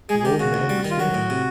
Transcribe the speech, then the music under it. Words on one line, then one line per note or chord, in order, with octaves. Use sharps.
The old man was dead.
G#3 G#4
G#4
D#3 G4
C#3 F#4
D2
G3
D#3
F4
F#3 F#4
A2
C3